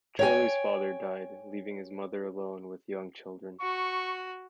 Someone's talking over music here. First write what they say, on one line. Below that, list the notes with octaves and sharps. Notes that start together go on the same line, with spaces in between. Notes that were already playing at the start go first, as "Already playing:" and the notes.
Chorley's father died, leaving his mother alone with young children.
C#5 G5 G#5
F#4 C#6